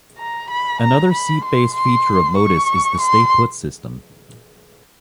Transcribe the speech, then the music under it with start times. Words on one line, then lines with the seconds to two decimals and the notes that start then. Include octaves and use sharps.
Another seat-based feature of Modus is the "Stay Put" system.
0.18 A#5
0.50 B5
0.81 A#5
1.12 B5
1.44 C6
1.75 C6
2.37 C#6
3.01 C6